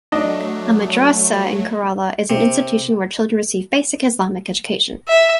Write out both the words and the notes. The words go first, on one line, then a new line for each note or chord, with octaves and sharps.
A madrasa in Kerala is an institution where children receive basic Islamic education.
F#3 A3 D4 D#5
C3
E5